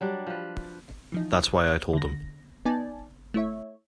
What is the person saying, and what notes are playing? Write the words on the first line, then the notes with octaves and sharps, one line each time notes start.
That's why I told him.
F#3 G3 D4
F3 B4
E3 F3 D#4
D3 A#6
B3 D#4 D5 G#5 A5
A3 E4 C#5 E5